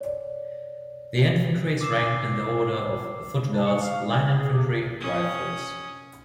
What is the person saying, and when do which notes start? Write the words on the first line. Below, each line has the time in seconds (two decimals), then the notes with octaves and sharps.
The infantry is ranked in the order of Foot Guards, Line infantry, Rifles.
0.01 C#5 D5
1.81 D6 E6 C7 E7
3.53 D4
3.65 C#6
3.82 F5
4.09 E3
4.29 G#4
4.52 C3
5.00 C#4 D#6